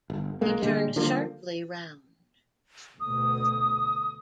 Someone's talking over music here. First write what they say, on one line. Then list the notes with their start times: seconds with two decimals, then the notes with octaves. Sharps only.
He turned sharply round.
0.10 G1
0.41 B1 G#3 A#3
0.62 A#2 D3 G3 G#3
0.96 D3 F3 G3 A#3
3.00 D2 B2 D#6